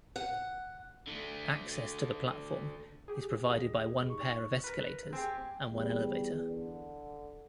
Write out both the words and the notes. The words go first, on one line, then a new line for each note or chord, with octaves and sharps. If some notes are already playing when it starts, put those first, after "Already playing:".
Access to the platform is provided by one pair of escalators and one elevator.
F#5
D3 A3
G4 G#4
D#2 A2 D#5
D#4 C#6
A#4 B4
C4 G4 G#4 G#5
E2 G3
D3